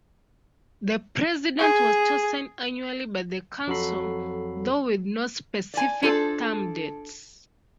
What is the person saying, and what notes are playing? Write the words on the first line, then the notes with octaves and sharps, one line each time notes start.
The president was chosen annually by the council, though with no specific term dates.
G#4
F2 F#3 F#4 A4 B5 C7
D5 G#5
D4 F4 G#4 A4 C5 D5